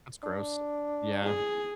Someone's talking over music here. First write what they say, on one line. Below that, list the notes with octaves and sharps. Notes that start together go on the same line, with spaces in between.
That's gross. Yeah.
D4
G#4